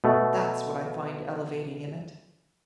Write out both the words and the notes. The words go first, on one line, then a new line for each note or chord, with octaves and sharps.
That's what I find elevating in it.
B2 A3